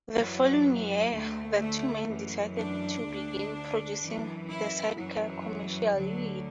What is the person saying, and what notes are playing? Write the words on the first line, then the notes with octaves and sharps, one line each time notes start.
The following year, the two men decided to begin producing the sidecar commercially.
F#2 E3 F#3
D2 D3 A3
A3
F#2 E3
D4
D2 D3
F#2 E3
E4
F#2 E3 F#3
D2 D3 F#3